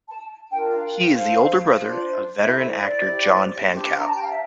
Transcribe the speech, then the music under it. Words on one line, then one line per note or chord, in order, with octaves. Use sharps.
He is the older brother of veteran actor John Pankow.
A5
D4 F4 A#4 G5
F5
F5
D4 A4 C5
D4 F4 C5
E4 A4 C5 E5
E5
D5
E4 G4 C5
D4 G4 C5
A#5
A5
G5
F5
E5